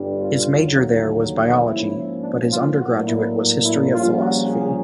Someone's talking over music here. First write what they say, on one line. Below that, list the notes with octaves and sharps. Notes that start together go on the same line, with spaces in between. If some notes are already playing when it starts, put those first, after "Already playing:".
His major there was biology but his undergraduate was history of philosophy.
Already playing: G1 G2 D3 G3
F4
D#2 D3 F#3 A#3
G#2 F3 A#3 C#4 E4
D4
F4
A2 F#3 A#3 D4 F#4
E4
E4
A#1 A#2 G3 A#3 C#4 F4
F#4
G#4